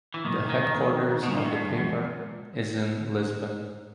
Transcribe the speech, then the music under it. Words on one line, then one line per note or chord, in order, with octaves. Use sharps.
The headquarters of the paper is in Lisbon.
E3
B2 D#3 F#3 A#3
D#3
F3 A3 C4
B2
A#2 D3 G3 A#3 D4
A2
G#2
G2
G2
F#2 E3 G#3 B3